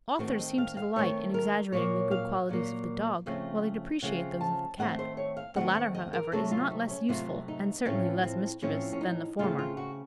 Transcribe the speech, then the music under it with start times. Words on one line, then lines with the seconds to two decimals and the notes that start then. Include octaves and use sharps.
"Authors seem to delight in exaggerating the good qualities of the Dog, while they depreciate those of the Cat; the latter, however, is not less useful, and certainly less mischievous, than the former."
0.19 D#3 A3 C4 F#4
0.39 D#5
0.58 F5
0.77 F5
0.96 D#3 A3 C4 C#5
1.34 A#4
1.72 A#2 F#3 A#3 C#5
2.11 F5
2.49 A#2 F#3 A#3
3.26 C#3 F3 A3 C4
4.02 C#3 F3 A3 C4 F#5
4.41 A5
4.79 D#3 A3 C4 F#5
4.99 C5
5.17 C#5
5.37 F5
5.56 D#3 A3 C4 F#5
5.75 F#5
5.95 D#5
6.13 A#4
6.32 C3 F#3 A3 C4 A4
6.51 F4
6.71 D#4
6.90 C#4
7.09 C3 F#3 A3 C4 F4
7.48 D#4
7.85 A2 F3 A3 C4 C#4
8.24 C4
8.62 A2 F3 A3 C4 C#4
8.93 C#4
9.01 D#4
9.39 C#3 A3 C4 F4
9.59 F4
9.77 F#4